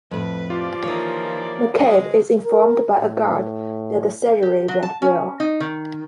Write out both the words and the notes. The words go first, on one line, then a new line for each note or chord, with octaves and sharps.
McCabe is informed by a guard that the surgery went well.
F2 A2 B4
F3 F4 G4 D5
D#3 E3 A#3 C#5 D#5
G#3 F#4 D#5
A#4
A2
G4
F#3
A5
C#4
D#4
D#3